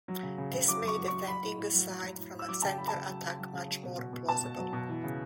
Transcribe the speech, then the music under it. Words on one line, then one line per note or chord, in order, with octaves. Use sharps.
This made defending a side from a center attack much more plausible.
F#3
C#3
C#3
C#3
F#3 D6
F#3 C#6
F#3
C#6
F#3
F#3 B5
A2
A2
F#3
F#3
F#3
A2
A2
E6
F#3 D6
C#3 A5
G5
F#3 B5
A5
C#3
F#3
C#3
F#3
C#3
F#3
B2
B2
B2
B2 A5
B2
F#3
B2
E3
C#3